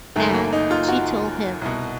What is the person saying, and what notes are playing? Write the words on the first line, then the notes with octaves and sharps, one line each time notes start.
and she told him,
F#1 F#2 D#3 A3
A#3
D#4
F4
F#4
C2 B2